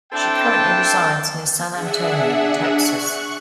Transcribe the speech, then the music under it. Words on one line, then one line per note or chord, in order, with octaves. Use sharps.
She currently resides near San Antonio, Texas.
C4 D4 E4 A4 G5 A5
D4 G#4 E5 F#5
C#6 F#6